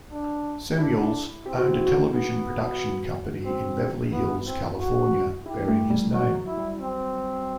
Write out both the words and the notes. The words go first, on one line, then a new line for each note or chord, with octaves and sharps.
Samuels owned a television production company in Beverly Hills, California bearing his name.
D4
D4 E4
C4 G4
F#4
E4
F#4
B3
C4
B3 E4
C4
F#4
E4 G4
A3
G3
F#3 F#4
F#3
E4
G3
C4